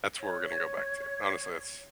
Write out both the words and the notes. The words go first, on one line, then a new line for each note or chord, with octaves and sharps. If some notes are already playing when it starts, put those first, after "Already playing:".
That's where we're gonna go back to, honestly, that's
C#5